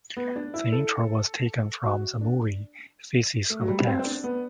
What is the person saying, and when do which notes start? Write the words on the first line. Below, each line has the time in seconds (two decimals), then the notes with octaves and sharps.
The intro was taken from the movie "Faces of Death".
0.17 B3
0.36 D4
0.54 E4
0.72 A4
1.83 F#4
2.21 D4
3.50 A3
3.61 F#3
3.68 G3
3.87 C4
3.99 C4
4.05 D4
4.24 B3